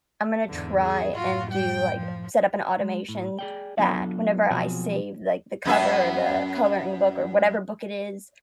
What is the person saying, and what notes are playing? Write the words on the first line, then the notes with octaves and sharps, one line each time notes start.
I'm gonna try and do, like set up an automation that, whenever I save, like, the cover, or the coloring book, or whatever book it is,
E2 G#2 D3
G#4
F#2 A2 F4 F#4
G3 G5
F3
G#3
A2
G#4 D5 G5
F#3 B3 D4 F4 A4 D5
B2 F3 F#3 C4 F#4 G#4
F#2 B3 E5